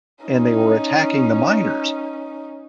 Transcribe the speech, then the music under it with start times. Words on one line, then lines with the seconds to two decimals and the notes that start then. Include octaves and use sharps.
and they were attacking the miners.
0.25 C#4 D#4